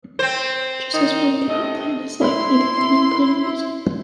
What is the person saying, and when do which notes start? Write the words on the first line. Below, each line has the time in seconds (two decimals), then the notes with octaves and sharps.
Just as one cannot plan his life, neither can he plan music.
0.19 C4 C5
0.93 D#3 D#4
1.48 C3 A3 D#5
2.21 E4 C6